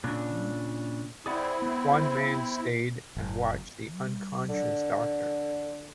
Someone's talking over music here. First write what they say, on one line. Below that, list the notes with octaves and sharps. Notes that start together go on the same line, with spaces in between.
One man stayed and watched the unconscious doctor.
A#2 C#3 D4
C4 E4 G#4 D5 F#5
B3
F#1
D3